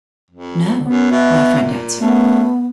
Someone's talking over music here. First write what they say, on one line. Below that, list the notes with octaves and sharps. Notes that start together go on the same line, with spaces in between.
"No," my friend answered.
F2
F#2 B3
B2 E5
A#2
F#2 A3 B3